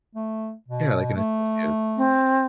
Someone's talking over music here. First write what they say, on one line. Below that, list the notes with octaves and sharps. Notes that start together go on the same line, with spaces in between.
Yeah. Like an associate.
A3
B2
A3
C4